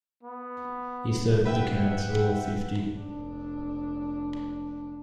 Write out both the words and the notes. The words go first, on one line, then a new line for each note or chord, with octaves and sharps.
He served on the Council of Fifty.
B3
B4 E5 F#5 G5
F1 D4